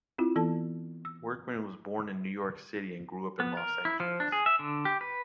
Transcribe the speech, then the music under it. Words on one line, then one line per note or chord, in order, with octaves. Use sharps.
Workman was born in New York City and grew up in Los Angeles.
C4 E4 F4
E3 B3 A4 A5
E6
B3
A#4
E4
F3
D4
G#4
E5
D3
G4
B4